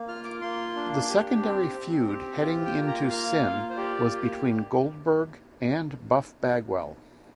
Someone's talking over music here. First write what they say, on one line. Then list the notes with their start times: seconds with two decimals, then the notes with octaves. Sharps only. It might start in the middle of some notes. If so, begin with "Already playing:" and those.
The secondary feud heading in to Sin, was between Goldberg and Buff Bagwell.
Already playing: A#3
0.08 F4 F6
0.24 D6
0.42 A#3 C6
0.76 D4
1.09 G4
1.42 C4
1.77 C4
2.09 G4
2.43 F4
2.65 G5
2.77 A#3
2.87 A#5
3.10 A#3 F5
3.44 F4
3.70 C5
3.77 G4 D5
4.11 A#3